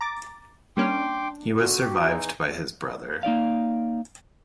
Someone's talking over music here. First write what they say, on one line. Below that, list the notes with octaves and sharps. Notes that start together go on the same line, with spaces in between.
He was survived by his brother.
A#5 D6 A6
G3 A#3 C#4 D4 G5 C6 D6
A#2 D3 F#4
G4
E2 E3 D#4
A#3 D#4 D5 F5